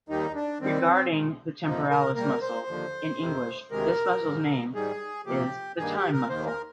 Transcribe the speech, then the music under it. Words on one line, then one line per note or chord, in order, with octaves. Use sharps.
Regarding the temporalis muscle: in English, this muscle's name is the time muscle.
D#2 D#3 G3 D#4
D4
D#2 D#3 G3 C4
A#2 G#3
F2 C3 F3 A#3 D#4
A#4
G#2 G3 A#3 A#4
C5
D#2 D3 F3
F2 C3 D#3
D2 C3 D#3 G#3 A#4
G#2 G3 A#3
G#2 D#3 G3 G#4
F2 C3 F3 A#3 G4
G2 D#3 A#3 G#4
G4
A#4
D#2 D#3 A#3 C5
A#4